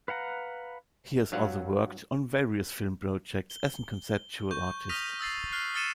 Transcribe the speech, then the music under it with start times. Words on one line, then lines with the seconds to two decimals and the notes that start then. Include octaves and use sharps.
He has also worked on various film projects as a conceptual artist.
0.08 B4 F5 F#5 A#5
1.32 G2 F#3 F5 F#5
3.50 G7
4.51 C#6 G6
4.89 D#6 F6 A#6 B6 D#7 F7
5.19 D#6 E6 A6 C7
5.52 F6 F#6 C7
5.74 D#6 F6 A6 C#7 D#7 E7